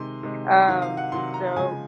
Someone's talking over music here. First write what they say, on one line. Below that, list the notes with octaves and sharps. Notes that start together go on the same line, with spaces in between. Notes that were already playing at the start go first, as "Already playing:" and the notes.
Um, so
Already playing: C3 D#3 G#3 C6
C3 D#3 G#3
C3 D#3 F#3 F5
F5
F#5
C3 D#3 F#3 C6
A#5
C#3 F3 G#3 G#5